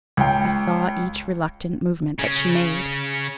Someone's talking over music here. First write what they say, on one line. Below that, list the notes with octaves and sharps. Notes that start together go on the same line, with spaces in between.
I saw each reluctant movement that she made.
C#2 G5
C#3 C#4